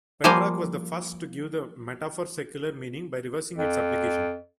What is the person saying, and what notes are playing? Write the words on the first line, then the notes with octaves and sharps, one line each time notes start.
Petrarch was the first to give the metaphor secular meaning by reversing its application.
F3 G3 A#3 C5 F5 G#5
F2